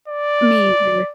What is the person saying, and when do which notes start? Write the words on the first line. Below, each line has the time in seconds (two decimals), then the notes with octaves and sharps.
I mean, he was
0.08 D5